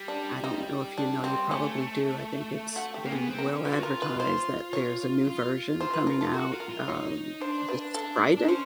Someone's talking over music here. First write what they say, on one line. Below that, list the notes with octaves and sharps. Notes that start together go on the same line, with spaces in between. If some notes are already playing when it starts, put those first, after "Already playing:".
I don't know if you know, you probably do. I think it's been well advertised that there's a new version coming out, um, this Friday.
Already playing: G3
D4
D#4
D4
C4
A3 C#4
F#4
G4
A#3
B3 G#4
C4
A#4
C#4
F4 B4
F#4
F4 A#4
B4
F4 C5
C#5
F4
C5
B4
A#4
A4
F#4 A#4
F4
A#4
F4
D#4 C#5
D4 C5
B4
A4
D4
C#4 C5